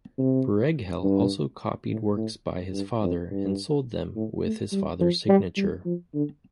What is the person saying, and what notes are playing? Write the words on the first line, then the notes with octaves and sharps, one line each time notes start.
Brueghel also copied works by his father and sold them with his father's signature.
C3
G2
A2
A2
G2
F2
G2
A2
A3
G3
F3
G3
G3
F3
D3